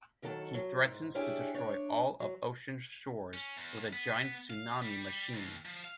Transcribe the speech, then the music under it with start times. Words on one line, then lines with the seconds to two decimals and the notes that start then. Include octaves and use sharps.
He threatens to destroy all of Ocean Shores with a giant tsunami machine.
0.22 D#2 D#3 F#3 A4 A5
0.54 F#3
0.85 G#2
1.15 C#4 D4 E4 G4 G#4
1.54 D4 C#5
2.20 F#3
3.34 C#4
3.57 E2
3.93 B3
4.50 F5
4.82 G3
5.34 D#2
5.65 F3
5.84 F5